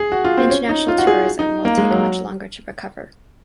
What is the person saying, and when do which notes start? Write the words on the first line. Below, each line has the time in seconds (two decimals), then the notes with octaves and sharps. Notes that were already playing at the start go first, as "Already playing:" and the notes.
International tourism will take much longer to recover.
Already playing: G#4
0.12 F#4
0.25 F4
0.37 C4
0.50 C#4
0.69 D#4
0.88 F4
0.98 F#4
1.07 G#4
1.39 D#4
1.65 A#3
1.78 G#3
1.91 F#3